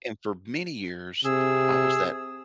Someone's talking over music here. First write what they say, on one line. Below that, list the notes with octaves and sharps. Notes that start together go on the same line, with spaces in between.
and for many years, d I was that
C3 G#4 E6